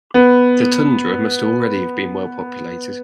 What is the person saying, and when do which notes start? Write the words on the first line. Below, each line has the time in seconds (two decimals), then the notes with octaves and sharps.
The tundra must already have been well populated.
0.14 B3